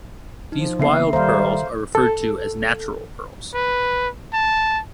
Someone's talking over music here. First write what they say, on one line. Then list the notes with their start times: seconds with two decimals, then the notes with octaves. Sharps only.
These wild pearls are referred to as "natural" pearls.
0.52 F3 D#4
0.79 C#3 A#3 B3 E5 C7
1.13 D#3 G3 A4 C5 E5 F5 A#5
1.95 A4
3.54 B4
4.34 A5